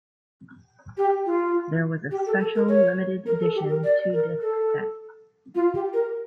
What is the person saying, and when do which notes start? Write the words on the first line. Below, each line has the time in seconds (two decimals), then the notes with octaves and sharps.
There was a special limited-edition two-disc set.
0.97 G4
1.26 F4
2.11 G4
2.26 A4
2.40 A4
2.55 A#4
2.68 C#5
3.26 A#4
3.40 A4
3.55 G4
3.68 A#4
3.84 D5
4.12 A#4
4.41 A4
5.55 F4
5.74 G4
5.93 A#4